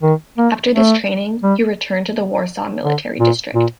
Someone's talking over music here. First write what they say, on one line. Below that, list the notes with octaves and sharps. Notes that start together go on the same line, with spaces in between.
After this training, he returned to the Warsaw Military District.
D#3
A#3
A3
G3
D3
A#2
A#2